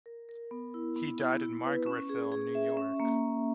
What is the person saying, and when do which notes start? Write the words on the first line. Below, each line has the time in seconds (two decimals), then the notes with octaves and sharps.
He died in Margaretville, New York.
0.06 A#4
0.29 A#4
0.51 B3
0.74 E4
0.96 B3
1.19 E4
1.41 E4
1.65 B4
1.86 C#4
2.09 G#4
2.32 G#4
2.55 E5
2.77 C#4
3.00 A#3